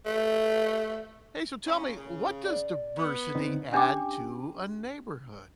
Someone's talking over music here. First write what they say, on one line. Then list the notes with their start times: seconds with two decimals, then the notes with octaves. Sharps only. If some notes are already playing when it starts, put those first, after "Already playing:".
Hey, so tell me, what does diversity add to a neighborhood?
0.06 A3
1.67 A#2 C#4
1.97 C#3
2.45 D5
2.98 B3
3.35 D3 C4 D#4
3.73 C#4 D4 G4 G5 D6